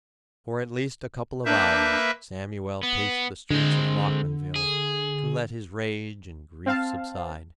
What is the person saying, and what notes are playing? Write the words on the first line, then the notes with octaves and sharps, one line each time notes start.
For at least a couple of hours Samuel paced the streets of Lockmanville, to let his rage and grief subside.
A#3 D4 B4 E5 G6
B3
D3 G#3 C4
G#4
C4 F5 A5